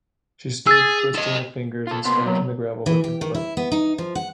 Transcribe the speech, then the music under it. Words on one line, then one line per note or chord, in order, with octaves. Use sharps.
She stood twisting the fingers and scratching the gravel with her foot.
G#4 E6 A6
A4 D#5
F4 A4
C3 A#3 B3 C6
F#3
E3
G4
D#3
E4
B3
D#4
F3
F#5